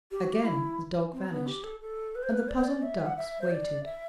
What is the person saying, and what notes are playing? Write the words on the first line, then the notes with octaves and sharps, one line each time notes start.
Again the dog vanished, and the puzzled ducks waited.
G4
F#4
G4
E4
C4
B3
G4
A4
A4
B4
C5
B4
D5
C5
D5
E5
F#5
E5
C5
D5
E5